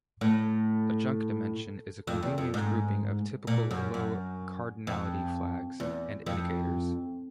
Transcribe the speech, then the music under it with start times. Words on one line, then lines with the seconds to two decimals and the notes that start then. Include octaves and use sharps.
A junk dimension is a convenient grouping of typically low-cardinality flags and indicators.
0.21 A2
2.07 F2
2.23 E2
2.38 F2
2.54 G#2
3.47 A#2
3.71 F#2
3.94 F#2
4.87 F2
5.80 E2
6.26 F2